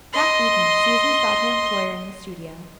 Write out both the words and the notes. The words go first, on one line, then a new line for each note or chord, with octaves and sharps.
That evening Susan sought her employer in the studio.
D#5 C6